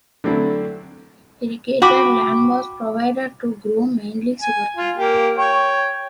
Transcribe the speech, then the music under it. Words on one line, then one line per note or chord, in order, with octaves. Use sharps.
Irrigated land was provided to grow mainly sugar cane.
D3 F#3 A3 C4 D4 E4
F#4 G5 B5 D6
G#5
F4
A#3 G4
C#5 G5